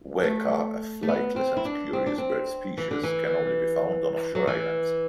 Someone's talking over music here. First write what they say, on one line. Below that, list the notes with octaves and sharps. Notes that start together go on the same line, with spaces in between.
Weka, a flightless and curious bird species, can only be found on offshore islands.
A3
A3
B3
C4
E4
D4
C4
D4
C4
E3
D3
E3
F#3
E3